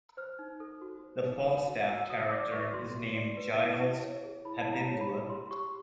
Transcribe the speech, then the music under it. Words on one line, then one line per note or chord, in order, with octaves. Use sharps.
The Falstaff character is named Giles Habibula.
C5 F6
D#4
A4
F#4
C5
D#4
A4
F#4
F#4 E6
F#4 D#6
D5 D6
B4 C#6
F#4 C6
F#4
D5
B4
E4
E4
C#5
G#4
E4 B5
E4 A5
A#5
C#5
B5
G#4
G4 C6
G4 C#6